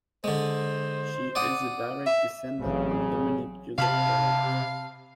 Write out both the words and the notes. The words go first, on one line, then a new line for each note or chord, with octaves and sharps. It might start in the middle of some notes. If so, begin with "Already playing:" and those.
She is a direct descendant of Dominique Joseph Garat.
D3 G#3 C5
D5 F#5 D#6
E5
A1 C#3 F#3 C4
C3 F5 A5 B5 F6